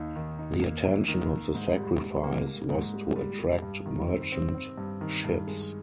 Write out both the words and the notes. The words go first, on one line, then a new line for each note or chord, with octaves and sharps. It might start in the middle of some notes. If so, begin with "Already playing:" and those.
The attention of the sacrifice was to attract merchant ships.
Already playing: D#2 D#4
D#3
D#4
A#3
A#3
D#3
D#3
G#2
G3
G#2
A#3
A#3
G#2
G3
G3
G3
G2
D#3
C4
C4
C4
G2
D#3
G2
G#3